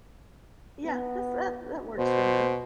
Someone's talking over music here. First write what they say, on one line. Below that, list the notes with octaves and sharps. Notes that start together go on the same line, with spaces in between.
Yeah. That's that that works for me.
B3
B2 C5